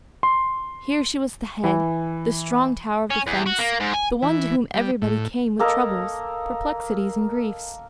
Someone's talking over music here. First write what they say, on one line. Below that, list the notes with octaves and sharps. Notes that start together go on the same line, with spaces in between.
Here she was the head, the strong tower of defense, the one to whom everybody came with troubles, perplexities, and griefs.
C6
E3
C#4
E2
F#4
A#3
G#2
G#5
E3
G3
A2
A#3 A4 A#4 D#5